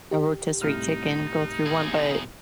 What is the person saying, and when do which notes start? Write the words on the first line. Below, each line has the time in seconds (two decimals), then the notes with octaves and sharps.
A rotisserie chicken go through one, but
0.11 G4
0.61 C2 A2 D#4 F6
1.66 B1 G#4